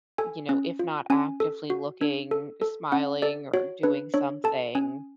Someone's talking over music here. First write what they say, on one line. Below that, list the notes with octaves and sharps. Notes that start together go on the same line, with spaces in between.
you know, if not actively looking, smiling, or doing something,
A4 G#5
C#4
F4
C#4 G#5
A4
F#4
D4
A4
A4
C#4 F#5
A4 D5
F#4 C#5
D4 B4
D4 C#5
A4 A5
C#4 G#5